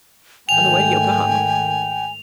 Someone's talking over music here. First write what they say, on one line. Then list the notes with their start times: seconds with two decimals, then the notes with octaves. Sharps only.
"On the way to Yokohama?"
0.49 G#2 D#3 A3 G5 G#5 F7